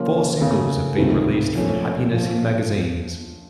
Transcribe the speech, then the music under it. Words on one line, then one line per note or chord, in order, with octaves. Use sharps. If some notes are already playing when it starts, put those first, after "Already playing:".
Four singles have been released from "Happiness in Magazines".
Already playing: C#3 F3 A#3 C#4 F4
D#2 C#3 A3 C#4
C#2 C3 D#3 A3 D#4
A#1 A#2 A3 C#4
F3